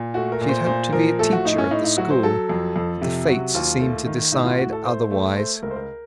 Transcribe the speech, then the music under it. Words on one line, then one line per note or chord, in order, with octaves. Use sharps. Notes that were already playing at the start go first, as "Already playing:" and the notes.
She had hoped to be a teacher at the school, but the fates seemed to decide otherwise.
Already playing: A#2
A3 F#4
A#4
A#2
C5
A#2 C5
F3 A#4
A3 A4
F#4
A2 D#4
C#4
A2 D#4
D#4
F#3 F#4
C5
F#3 A4
F2
F2
C3
F#3 F#4
D#2 F4
A3
D#3
A2 D#4
F4
A2 F#4
A4
A3 C5
A3
A3 C5
C#2 A#4
C5
A#4